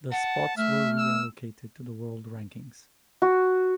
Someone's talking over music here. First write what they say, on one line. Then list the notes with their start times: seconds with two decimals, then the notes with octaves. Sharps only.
The spots were reallocated to the world rankings.
0.12 F#5 A5
0.57 A3 E5 F6
0.98 E6
3.22 F#4